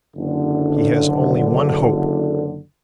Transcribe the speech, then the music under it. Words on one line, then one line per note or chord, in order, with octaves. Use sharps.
He has only one hope.
F#1 D3